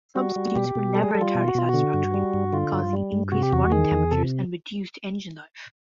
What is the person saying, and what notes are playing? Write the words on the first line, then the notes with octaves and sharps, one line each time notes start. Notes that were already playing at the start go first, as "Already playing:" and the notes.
Substitutes were never entirely satisfactory - causing increased running temperatures and reduced engine life.
G3 F#4
G3
B2 G4
B2
G3 A4
G#4
G3 A4
F4
B2
F#4
B2 F4
D3 F#4
G2
G3
G2
D3 F4
G2
G3
G2
C3 F#4
G4
E2 F#4
D#3 G#4
E2
C3 A4